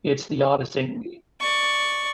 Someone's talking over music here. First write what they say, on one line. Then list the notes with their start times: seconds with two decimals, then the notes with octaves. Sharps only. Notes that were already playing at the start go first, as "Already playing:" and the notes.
it's the oddest thing.
1.40 D5 C#6